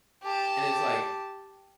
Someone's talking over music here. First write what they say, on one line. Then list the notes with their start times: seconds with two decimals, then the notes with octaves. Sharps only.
And it's like,
0.23 G4 A5